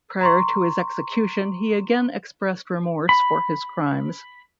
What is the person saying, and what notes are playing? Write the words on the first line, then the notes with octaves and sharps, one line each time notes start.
Prior to his execution, he again expressed remorse for his crimes.
A#5 C6 C#6
B5